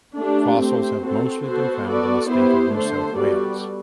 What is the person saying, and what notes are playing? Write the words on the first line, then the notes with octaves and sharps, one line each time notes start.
Fossils have mostly been found in the state of New South Wales.
A3 D4 G4
A3 C4 G4 C5
C4 F#4 A4 C5
B3 F#4 A4 C5
B3 F#4 A4 D5
B3 E4 G4 C5
D3 A3 D4 A4 C5
G3 B3 F#4 A4 D5